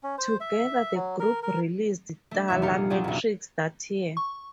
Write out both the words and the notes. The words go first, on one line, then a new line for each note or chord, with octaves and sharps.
Together, the group released "Tala Matrix" that year.
C#4
C5
E5
F#3
A#4
A#4
A3 D4
F1 E2 E5
A#1 G4 A4 A#4 F5 C#7
G#4
F#3 C#4 D4 F4 G4 G#4
F1 B1
C#6